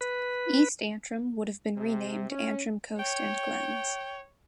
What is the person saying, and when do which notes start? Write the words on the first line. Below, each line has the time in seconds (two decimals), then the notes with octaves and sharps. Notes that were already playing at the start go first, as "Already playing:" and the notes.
East Antrim would have been renamed 'Antrim Coast and Glens'.
0.01 B4
1.77 C3
2.31 C#4
2.99 C#5 G5